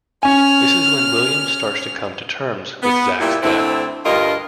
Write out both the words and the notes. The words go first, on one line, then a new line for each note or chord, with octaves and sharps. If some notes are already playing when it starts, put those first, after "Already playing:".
This is when William starts to come to terms with Zach's death.
C#4 G#5 F6
B3
A#2 G3 E4
D2 D3 C4 E4
D2 G2 G3 F4 A#4 D#5